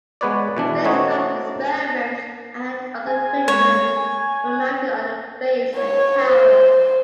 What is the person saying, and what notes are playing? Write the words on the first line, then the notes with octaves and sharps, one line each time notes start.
Spacecraft experiments and other equipment were mounted on the base and tower.
G#3 B3 B4 C#5 D5
B2 E3 D4
A3 C4 C#4 D#4 F#4 C#5
C4 G#4 G#5
G#3 A#3 C#5
G#5
C#5
C5